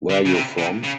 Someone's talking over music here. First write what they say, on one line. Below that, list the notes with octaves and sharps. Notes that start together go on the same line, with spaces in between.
Where you from?
D3
C#3
C3
C3
C#3